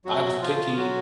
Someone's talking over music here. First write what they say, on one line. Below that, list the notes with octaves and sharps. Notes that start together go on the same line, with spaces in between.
I was picky,
F2 F#3 F#4
F3 F4
F#3 F#4